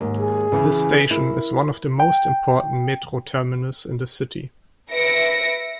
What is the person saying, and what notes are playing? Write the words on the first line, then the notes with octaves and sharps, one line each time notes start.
This station is one of the most important metro terminus in the city.
D#2 G#2
G#4
C#3 E3
E4 A#4
G5
B4 E5 A#6 C#7 D7